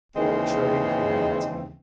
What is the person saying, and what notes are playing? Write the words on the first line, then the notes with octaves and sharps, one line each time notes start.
Poor, toadying humanity!
D#2 C#3 E3 G#3 C4